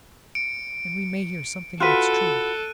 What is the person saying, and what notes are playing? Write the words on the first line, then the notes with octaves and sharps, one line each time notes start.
And we may hear something that's true.
C#7 D7
F4 F#4 A4 B4 F#6 D#7